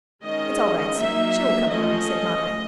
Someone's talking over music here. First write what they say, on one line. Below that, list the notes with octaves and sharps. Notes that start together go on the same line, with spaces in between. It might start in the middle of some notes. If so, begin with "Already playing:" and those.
"It's all right, sir; she will come round," said Matvey.
D#3 G#3 C#4 D#5
F#3 A#3 D#4 E5
F3 A3 C#4 D#5